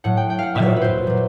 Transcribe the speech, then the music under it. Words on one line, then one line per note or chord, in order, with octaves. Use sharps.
I opened it.
A2 F#3 F#5
G5
G5
F5 F#5
A#2 F#3 E5
B4
C5
A#2 F#3